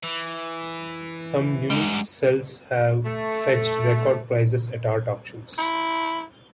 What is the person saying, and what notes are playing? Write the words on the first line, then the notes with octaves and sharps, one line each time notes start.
Some unique cels have fetched record prices at art auctions.
E3
F#2 G3 G#3
A3
E4